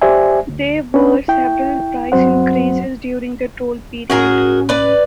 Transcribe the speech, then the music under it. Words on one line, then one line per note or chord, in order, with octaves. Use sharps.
There were several price increases during the toll period.
G4 C5 D5 E5 G#5
D2
C#4 D4 B4
E4 G5
G2 F#3 C4 C5 F#5
A2 C#4 F#4 G#4 A#4
B4 D5